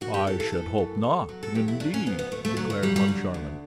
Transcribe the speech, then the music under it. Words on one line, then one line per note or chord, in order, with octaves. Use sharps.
"I should hope not, indeed!" declared Moncharmin.
F#2 F#4
G4
E3 A4
A4
E3
F#2
E2
F#3
A4
E2 G4
E4
F#3 D4
C#4
D2 B3
B3
D2 A3
A3
D3 F#3
A3
F#3 G3
G3
D3
D2